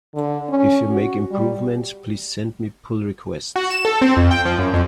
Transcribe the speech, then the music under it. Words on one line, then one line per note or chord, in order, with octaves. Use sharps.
If you make improvements, please send me pull requests!
D3
C#4
F#4
G3
F#4
E7
A4
C4
F2
G5
F3
F#2
F2